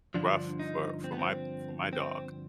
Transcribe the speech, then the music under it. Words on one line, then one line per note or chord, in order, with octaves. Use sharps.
rough for for my for my dog,
G2 D3 F3 D4
D#4
C4
B3
C4
C4